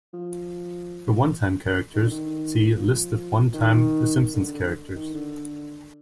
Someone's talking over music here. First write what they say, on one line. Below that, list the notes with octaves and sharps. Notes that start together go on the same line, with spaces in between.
For one-time characters, see "List of one-time The Simpsons characters".
F3
D#3
D3
D#3
F3
D#3
D3
D3
D#3
D3